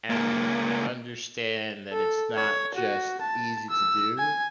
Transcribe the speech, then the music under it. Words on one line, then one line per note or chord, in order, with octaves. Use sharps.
and I understand that it's not just easy to do,
C#2 A#3
A4
C#5
F#4
A5
E6
G#5